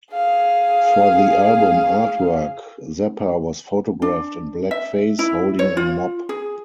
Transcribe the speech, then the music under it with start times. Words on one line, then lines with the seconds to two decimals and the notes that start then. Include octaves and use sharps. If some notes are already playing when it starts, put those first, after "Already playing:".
For the album artwork, Zappa was photographed in blackface, holding a mop.
0.13 G#4 F5
4.02 D4
4.71 E5
5.19 E4
5.59 C#5
5.77 F4
6.29 G#4